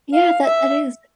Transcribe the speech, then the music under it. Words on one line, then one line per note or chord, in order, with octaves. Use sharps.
Yeah, that that is.
F5
E5